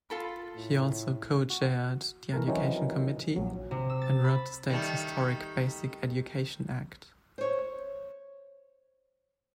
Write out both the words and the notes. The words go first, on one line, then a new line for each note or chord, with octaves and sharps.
He also co-chaired the Education Committee and wrote the state's historic Basic Education Act.
F4 A4 B5
A2
F#4
E3 A3 A#4
D#3 E3 F#3 C4 C#4 D#4
A#1 F#3
C3
E6
A6
B5
D#3 G3 A3
C5 C#5